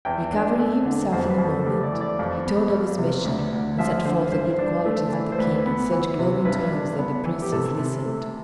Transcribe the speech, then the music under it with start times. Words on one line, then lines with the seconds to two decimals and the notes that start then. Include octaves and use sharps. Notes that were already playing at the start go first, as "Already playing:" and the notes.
Recovering himself in a moment, he told of his mission, and set forth the good qualities of the King in such glowing terms that the Princess listened.
0.05 E2 G5
0.33 D4
0.58 A3
0.85 D3
1.12 F2 C5
1.30 B4
1.38 F2
1.48 A4
1.66 A3 G4
1.83 D5
1.92 E3
2.01 D5
2.19 F2
2.46 B3
2.72 G3
2.98 C3
3.25 D2
3.52 D2
3.78 F3 E5
4.05 D3 C5
4.32 G2 C5
4.59 D4
4.86 A3
5.12 E3
5.32 C5
5.38 D2 B4
5.66 B3
5.92 E3
6.19 C3
6.45 G2 B4
6.73 D4
6.98 B3
7.25 E3
7.42 G4
7.52 C3 A4
7.79 C3
8.06 A3